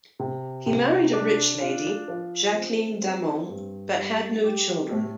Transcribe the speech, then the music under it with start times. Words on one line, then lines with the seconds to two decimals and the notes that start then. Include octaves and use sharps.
He married a rich lady, Jacqueline Damant, but had no children.
0.19 C3
0.66 C3
1.13 D4
1.61 F4
2.08 F3
2.54 C4
3.02 C4
3.49 G2
3.96 G3
4.44 G4
4.91 A2